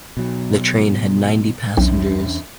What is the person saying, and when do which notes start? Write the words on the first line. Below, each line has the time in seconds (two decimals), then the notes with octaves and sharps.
The train had ninety passengers.
0.17 B2 F#3
1.77 B1 E2 C#4 D4